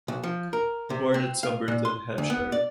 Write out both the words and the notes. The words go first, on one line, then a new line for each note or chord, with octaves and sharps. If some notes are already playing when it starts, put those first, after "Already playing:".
Born at Soberton, Hampshire.
B1
F3
A#4
C3
C4
F5
A#2
C6
D2
B3
D5